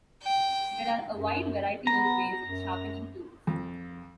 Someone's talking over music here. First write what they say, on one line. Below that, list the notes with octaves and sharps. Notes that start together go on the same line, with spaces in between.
There are a wide variety of ways of sharpening tools.
G5
F#2
B3 A#5
F#2
F2